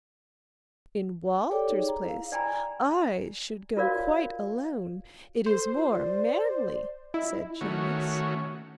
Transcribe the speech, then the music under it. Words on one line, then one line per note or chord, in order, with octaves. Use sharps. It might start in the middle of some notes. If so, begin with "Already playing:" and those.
'In Walter's place I should go quite alone, it is more manly,' said Jonas.
G4 A4 C#5 D5 G5 D6
D#4 G#4
A#5
E4 F5
D5 G5 G#5 A#5 B5
F4 F#4 A#4 C#5 D5 F5
A4 C5
F4
D5
E4 D#5
D#3 A3 C#4 F#4